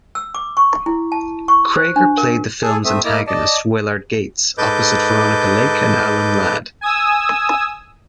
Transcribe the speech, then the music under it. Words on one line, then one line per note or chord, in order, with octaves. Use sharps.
Cregar played the film's antagonist, Willard Gates, opposite Veronica Lake and Alan Ladd.
E6
D6
C#6
E4
A5
C#6
C5
D4
A#4
G#4 A4 G#5
A3 C4 E5 D#6
A#3 E4 D#5 D6
D5 D#5 A5
G#2 A4 B4 D#5 D6 G6
G#5 D#6 E6